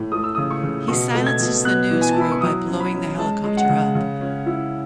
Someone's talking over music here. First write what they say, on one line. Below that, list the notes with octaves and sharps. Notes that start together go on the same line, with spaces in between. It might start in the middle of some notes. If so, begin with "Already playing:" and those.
He silences the news crew by blowing the helicopter up.
Already playing: A2
A3 D#6
E6
C#3 D#6
C#6
C#3
B2 C#6
A3
G#6
B2
B3 F#6
E3
G#5
A5
E4
B5
C#6
F#3 D#6
C#4
B5
C#4
G#3 A5
G#3
F#5
C#3
C#3
C#4
E4